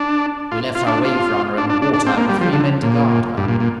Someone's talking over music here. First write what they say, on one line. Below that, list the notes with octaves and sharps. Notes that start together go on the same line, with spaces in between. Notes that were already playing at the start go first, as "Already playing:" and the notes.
We left our 'Waverunner' in the water with three men to guard her.
Already playing: D4
F4
F4
D4
F4
D4
D4
D4
D4
C4
A#3
G3
F3
D3
A#2
G2
A#2
A#2